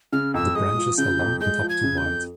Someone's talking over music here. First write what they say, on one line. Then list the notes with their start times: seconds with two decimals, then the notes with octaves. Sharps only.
The branches are long and up to wide.
0.13 C#3 F6
0.34 F2 E6
0.55 G#3 D#6
0.77 F3
0.98 C#3 G6
1.19 F2
1.41 G#3 G6
1.62 F3
1.69 G#6
1.83 C#3
1.98 G6
2.05 F2